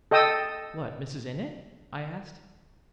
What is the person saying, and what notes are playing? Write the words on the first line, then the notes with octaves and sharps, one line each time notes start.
"What, Mrs. Innitt?" I asked.
A4 D#5 G5 D#6 E6